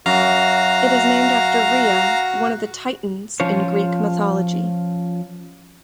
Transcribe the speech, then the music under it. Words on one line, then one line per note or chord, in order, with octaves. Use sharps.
It is named after Rhea, one of the Titans in Greek mythology.
F#2 F#4 F5 A#5
F3 C#4 F4 C5 C#5